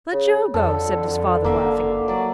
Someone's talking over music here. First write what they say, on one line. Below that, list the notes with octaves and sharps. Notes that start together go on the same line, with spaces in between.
"Let Joe go," said-his father, laughing.
C#3
F2 D3 A4
F#1 A#3 E5 F5
F#3 D5